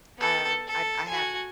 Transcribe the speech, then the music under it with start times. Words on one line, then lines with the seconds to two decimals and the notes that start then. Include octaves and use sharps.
Um, I I haven't
0.18 B3 A4
0.67 A4
1.08 F#4 G#5